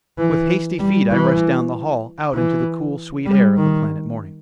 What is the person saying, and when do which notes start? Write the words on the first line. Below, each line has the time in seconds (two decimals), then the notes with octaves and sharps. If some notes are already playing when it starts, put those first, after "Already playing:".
With hasty feet I rushed down the hall out into the cool, sweet air of the planet morning.
0.18 E3
0.79 G3
1.11 E3
2.34 E3
3.26 G3
3.57 D#3